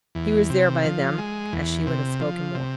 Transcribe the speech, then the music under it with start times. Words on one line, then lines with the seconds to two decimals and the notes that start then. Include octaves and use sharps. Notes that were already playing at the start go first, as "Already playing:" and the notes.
He was there by them as she would have spoken more.
0.15 E2
0.50 C3
0.84 F3
1.18 G#3
1.52 E2
1.87 C3
2.21 F3
2.55 C3